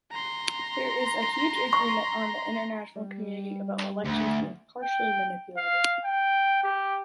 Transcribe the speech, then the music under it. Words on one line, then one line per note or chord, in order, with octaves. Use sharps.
There is a huge agreement on the international community about elections being “partially” manipulated.
A#5 C6
C#6
G3
D2
G5
F5
G5
G4